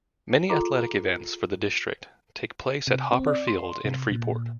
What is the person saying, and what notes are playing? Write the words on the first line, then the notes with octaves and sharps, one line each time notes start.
Many athletics events for the district take place at Hopper Field in Freeport.
F4 G#4 A4 A#5 C6 D6
C3
C4
D5
C6
C3
A#2